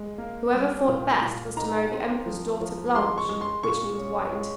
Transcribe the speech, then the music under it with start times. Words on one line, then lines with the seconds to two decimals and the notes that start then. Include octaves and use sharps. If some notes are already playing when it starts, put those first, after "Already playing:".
Whoever fought best was to marry the Emperor's daughter Blanche, which means white.
Already playing: G#3
0.18 A#3
0.53 G3
0.88 A#2
1.21 A#2
1.57 D#4 A#5
1.91 C4
2.26 F3
2.60 F3
2.95 G#3 C6
3.18 C#6
3.29 G#3
3.41 C6
3.63 A#2 C#6
3.98 C#4
4.33 G#3